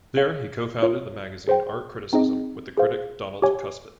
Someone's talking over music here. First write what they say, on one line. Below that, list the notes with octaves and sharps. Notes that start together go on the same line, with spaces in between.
There he co-founded the magazine Art Criticism with the critic Donald Kuspit.
G#4 C#5 F5
F4 A#4 C#5
G#4 C5 G5
C4 D#4 G#4 D#5
G#4 C5 F5
G4 C#5 G#5